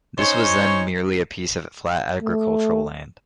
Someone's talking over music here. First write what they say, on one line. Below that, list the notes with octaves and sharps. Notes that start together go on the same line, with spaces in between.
This was then merely a piece of flat agricultural land.
C#4 D#4 C5 C#5
A3